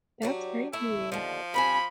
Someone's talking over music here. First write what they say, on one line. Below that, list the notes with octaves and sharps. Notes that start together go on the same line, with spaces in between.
That's crazy.
F#3 D4 G4
A3 E4
D#2 D3 F3
G2 C4 G#5 B5